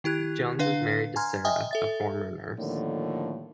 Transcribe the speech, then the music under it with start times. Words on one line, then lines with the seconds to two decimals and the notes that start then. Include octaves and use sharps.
Jones is married to Sara, a former nurse.
0.04 D#3 E4 G4 F#6 G#6
0.59 D3 D4 B4 F5
1.16 G#5 A#5 C6 F6 G#6
1.45 D#5 E5 G5 G#5 D#6
1.71 A4 E5 A6
2.57 A2 D3 D#3 F3 G3 A#3